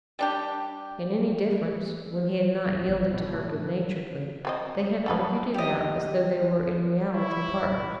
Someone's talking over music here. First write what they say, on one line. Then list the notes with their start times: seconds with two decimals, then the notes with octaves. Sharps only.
In any difference, when he had not yielded to her good-naturedly, they had argued it out as though they were in reality partners.
0.19 G3 D4 G4
2.88 G1
3.14 B2
3.34 A2
4.45 F#3 C4 D#5
5.06 D3 A4 B4
5.54 G4 D#5
7.14 E4 C#5